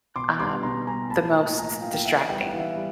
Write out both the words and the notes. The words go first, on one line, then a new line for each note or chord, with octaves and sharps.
um, the most distracting.
B2 C6 D6
G3 B3 C6 D6
B2 A#5 C6
G3 B3 G#5 A#5
A2 A5 B5
F3 A#3
A2 G#5 A#5
F3 A#3 F5 G5
G5
E3 E5 F#5
G3 B3 G5
F#5
E3 F5
E5 F#5
G3